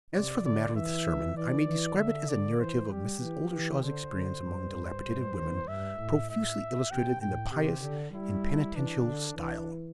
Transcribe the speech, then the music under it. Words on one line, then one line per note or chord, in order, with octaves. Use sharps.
As for the matter of the sermon, I may describe it as a narrative of Mrs. Oldershaw's experience among dilapidated women, profusely illustrated in the pious and penitential style.
C3 D5
D3 D5
E3 E5
E3 D5
E3
D3 E5
D5
E3 C5
G3 G4
E3
E3
D3 C5
D3
G2
G2
E2
G2 E5
A2
E5
C3 G5
A2 G5
C3 G4
D3
G3 E4
E3 D4
D3
E3 D4